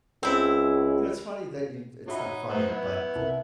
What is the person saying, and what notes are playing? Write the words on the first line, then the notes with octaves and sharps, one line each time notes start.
You know, it’s funny that you it’s not funny, but
C#2 C4 E4
D#4 F#4 C#5 E5 B5
A3 B3 D#4 C5
F#3 B3 E4
C2 A#4 E5